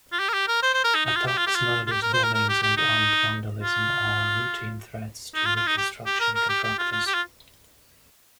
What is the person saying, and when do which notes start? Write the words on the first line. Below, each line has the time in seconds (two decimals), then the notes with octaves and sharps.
Attacks, murders, bombings and armed vandalism are routine threats to reconstruction contractors.
0.12 F4
0.19 G4
0.28 A#4
0.33 G4
0.48 A#4
0.62 C5
0.74 C5
0.84 A#4
0.95 D#4
1.05 D#4
1.16 F4
1.27 G4
1.37 F4
1.47 G4
1.55 F4
1.87 F4
1.92 G4
2.02 A#4
2.13 C5
2.23 A#4
2.34 A#4
2.49 G4
2.62 G4
2.77 D#4
3.63 F4
5.35 D#4
5.45 F4
5.56 F4
5.67 D#4
5.77 G4
6.06 G4
6.20 A#4
6.35 A#4
6.49 G4
6.63 G4
6.78 F4
6.92 F4
7.07 G4
7.14 F4